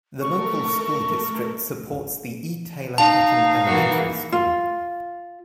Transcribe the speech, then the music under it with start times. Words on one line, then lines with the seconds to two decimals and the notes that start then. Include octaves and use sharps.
The local school district supports the E. Taylor Hatton Elementary School.
0.21 A3 A4 A#4 C#6
2.98 D#4 F5 A5
3.65 E3 A#3 F#4
4.32 F4